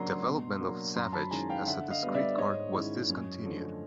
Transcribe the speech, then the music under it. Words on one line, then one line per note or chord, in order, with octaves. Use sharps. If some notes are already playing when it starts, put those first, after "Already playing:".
Development of Savage as a discrete card was discontinued.
Already playing: C#3 F#3 A#3 D4 A#5 C6
B2
F#3 A#3 D4
F#2 A#5 C6
A5 B5
D#3 G#3 C#4 E4 G#5 A#5
F5 G5
D3 E5 F#5
D#5 F5
G3 B3
D5 E5
G#2 C#5 D#5
D#3 G#3 C#4 E4
F#2
D3 F3 A3